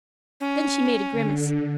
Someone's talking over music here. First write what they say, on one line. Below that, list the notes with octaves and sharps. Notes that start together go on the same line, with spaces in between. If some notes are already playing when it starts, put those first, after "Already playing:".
Then she made a grimace.
C#4
D3